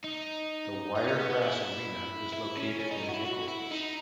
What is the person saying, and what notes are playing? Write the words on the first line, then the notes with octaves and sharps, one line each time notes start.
The Wiregrass Arena is located in Nicholls.
D#4
D#4
C#4
B3
B3
E4
E4
C#4
C#4
D#4
E4
F#4
E4
F#4
E4
D#4